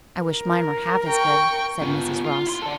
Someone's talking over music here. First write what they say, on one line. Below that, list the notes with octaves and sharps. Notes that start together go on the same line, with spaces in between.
"I wish mine were half as good," said Mrs. Ross.
A#4
G5 C#6
B3 F4
F4
E4 C6
A4 D5